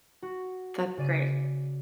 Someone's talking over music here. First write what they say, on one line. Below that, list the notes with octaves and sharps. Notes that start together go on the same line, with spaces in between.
That's great.
F#4
C#3 D5 D#7